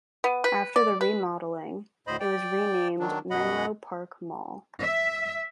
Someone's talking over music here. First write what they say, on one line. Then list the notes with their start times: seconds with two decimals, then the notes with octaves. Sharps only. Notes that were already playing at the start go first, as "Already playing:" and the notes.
After the remodeling, it was renamed Menlo Park Mall.
0.24 B3
0.44 B4
0.76 D5
1.01 B4
2.07 D2 A2 C5 D#5 B5
2.20 D5 G5
3.00 D#3 F#3 D4
3.30 F#2 B2 D#5 F#5 B5
4.81 E5